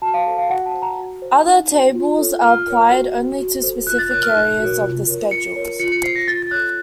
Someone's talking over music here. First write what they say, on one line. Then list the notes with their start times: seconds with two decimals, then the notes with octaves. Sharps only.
Other tables are applied only to specific areas of the schedules.
0.02 F#4 A5
0.14 F5
0.26 A4 C5
0.38 F5
0.50 F#4 F#5
0.66 A5
0.74 C5
0.82 A#5
0.98 F#4
1.22 C5
1.47 D#4
1.71 F#4 C5
1.94 F4
2.18 A4 C#5
2.42 F4 F6
2.67 A#4 C#5
2.90 F#4
3.14 C5
3.39 F#4
3.63 A4 C5
3.87 F4 F#6
3.98 A6
4.11 A#4 C#5 F#6
4.23 F6
4.35 D#4 F#6
4.59 F#4 A#4 C#5
4.83 F4
5.07 A#4 C#5
5.31 F4 C#7
5.56 A#4 C#5
5.80 F4 C#7
5.92 C#7
6.04 C5 C7
6.15 A#6
6.27 F4 A6
6.42 A6
6.51 A4 C#5 F#6